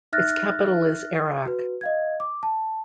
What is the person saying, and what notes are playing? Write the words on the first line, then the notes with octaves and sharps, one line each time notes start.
Its capital is Arak.
D#4 E5 F6 F#6 A6 A#6
F#4 B4
D#5 F5 G#6
D6
A5